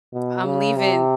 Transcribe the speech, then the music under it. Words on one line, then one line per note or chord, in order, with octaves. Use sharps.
I'm leaving
B2
C#3
C3